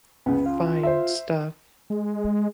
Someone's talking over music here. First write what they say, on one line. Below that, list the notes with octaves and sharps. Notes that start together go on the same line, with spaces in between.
Fine stuff.
C#2 C#3 B3
F4
C5 E5
G#3